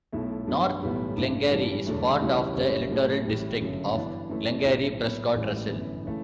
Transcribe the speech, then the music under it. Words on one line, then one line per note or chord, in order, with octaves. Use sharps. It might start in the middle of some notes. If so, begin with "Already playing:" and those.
North Glengarry is part of the electoral district of Glengarry-Prescott-Russell.
B1 B2 A3 E4
G2 F#3 B3
B1 A2 E3 G3 B3
A1 G2 E3
G2 E3 G3
E1 E2 D3 F#3 A3
C#2 C#3 E3 G3 C#4
F#1 F#2 C#3 G3 C#4
A2 F#3 A3
A1 A2 G3
G1 F#2 C#3 F#3
G2 E3 B3 D4
F#2 E3 A3
B1 A2 F#3
A2 F#3 B3
A1 A2 G3
G1 F#2 E3 B3 E4
C#3 E3 A3